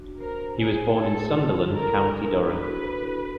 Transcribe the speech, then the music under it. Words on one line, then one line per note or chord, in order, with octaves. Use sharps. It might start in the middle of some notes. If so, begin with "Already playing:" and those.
He was born in Sunderland, County Durham.
Already playing: D4 F#4
A#4 C5
E4 G#4
G#4 A4
E4
A4 A#4
D4
F#4 B4
D4